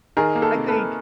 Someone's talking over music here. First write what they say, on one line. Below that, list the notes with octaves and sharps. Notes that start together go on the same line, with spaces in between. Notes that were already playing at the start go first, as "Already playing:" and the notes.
I think
D#3 G#4 A#4
A#3
A4 B4
C3
A4 B4
A#3